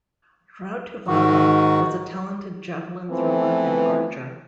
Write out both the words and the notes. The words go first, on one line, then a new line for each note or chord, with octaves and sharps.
Rautavaara was a talented javelin thrower and archer.
G#2 D#3 F#4
E3 F3 A3 B3 C4